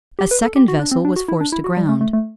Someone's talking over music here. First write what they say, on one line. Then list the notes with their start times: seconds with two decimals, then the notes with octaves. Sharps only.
A second vessel was forced aground.
0.19 G4
0.31 B4
0.43 A4
0.56 G4
0.68 F#4
0.79 D4
0.91 C4
1.05 D4
1.16 F#4
1.28 E4
1.41 D4
1.52 E4
1.64 F#4
1.77 G3
1.89 A3
2.01 A3
2.13 A3